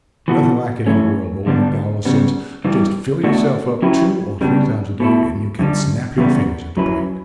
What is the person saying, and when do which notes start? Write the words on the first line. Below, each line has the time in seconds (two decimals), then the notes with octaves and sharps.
Nothing like it in the world, old McDowells says, just fill yourself up two or three times a day, and you can snap your fingers at the plague.
0.28 E3 B3 F#4 A4
0.87 F#2 E3 A3 C#4
1.46 G2 D3 G3 B3 D4
2.05 C#3 G3 B3
2.65 G2 E3 G3
3.23 B2 A3 D4 F#4
3.82 F#3 C#4 E4 G4 B4
4.41 C#3 G3 B3 D4
5.00 B2 A3 E4
5.59 F#2 D3 G3
6.18 E2 C#3 G3 B3
6.77 F#3 C#4 E4 B4